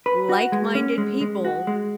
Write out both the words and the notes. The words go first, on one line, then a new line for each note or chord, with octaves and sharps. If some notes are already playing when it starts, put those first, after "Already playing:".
like minded people
B4
F#4
G#3
C#4
G#3
G#3
F#4
G#3